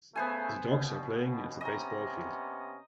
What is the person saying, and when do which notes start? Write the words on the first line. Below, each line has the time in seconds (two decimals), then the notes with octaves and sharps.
The dogs are playing at the baseball field.
0.16 C#3 A3 B3 C5 G#5
0.69 D#2 B2
1.61 C3 B3 C#4 D#5 A#5